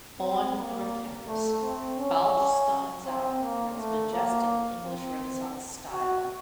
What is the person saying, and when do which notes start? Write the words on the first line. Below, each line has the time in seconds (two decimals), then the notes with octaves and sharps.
On North Campus, Balch stands out for its majestic English Renaissance style.
0.20 C4
0.55 A#3
1.27 A3
1.62 C4
1.98 C#4
3.05 C4
3.41 A#3
3.77 A3
4.13 A#3
4.84 C4
5.91 F#4